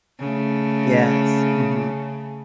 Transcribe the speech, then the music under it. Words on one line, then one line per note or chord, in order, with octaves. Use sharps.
Yes, mhm.
C#3 A3